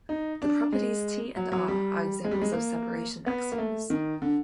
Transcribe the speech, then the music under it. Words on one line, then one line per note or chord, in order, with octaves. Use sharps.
The properties T and R are examples of separation axioms.
D#4
D4
G#3
F#3
F#3
G3
G#3
G3
G#3
A#3
B3
A#3
A3
D#3
D3